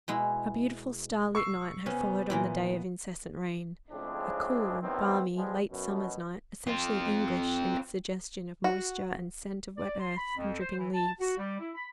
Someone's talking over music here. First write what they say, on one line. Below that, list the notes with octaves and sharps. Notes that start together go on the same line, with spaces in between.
A beautiful starlit night had followed on the day of incessant rain: a cool, balmy, late summer's night, essentially English in its suggestion of moisture and scent of wet earth and dripping leaves.
B2 G#3 E4
C#6 E6 C7
C3 B3 C#4
A#2 E3 A#3
F2 A2 C#3 G#3 C4 D4
B1 E2 D#3 B3 C4
B2 F3 G3 G#3
F#2 B2
C4 F4
F#4
D5
C6
B5
F2
C5
E3
A5
F#4
G3
E4
B5